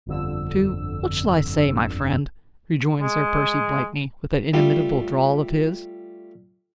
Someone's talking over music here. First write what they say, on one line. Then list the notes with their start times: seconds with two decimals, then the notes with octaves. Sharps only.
"To--What shall I say, my friend?" rejoined Sir Percy Blakeney, with that inimitable drawl of his.
0.06 G1 F2 D3 E6
3.01 G#3
4.53 G3 A3 F4